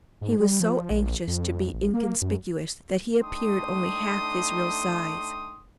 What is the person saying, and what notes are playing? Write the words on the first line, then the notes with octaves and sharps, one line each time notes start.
He was so anxious to be inconspicuous that he appeared only half his real size.
G#2
G3
F3
A#1
F2
F2
A1
A#3
F#2
A3 D4 D#4 G5 C6 D#6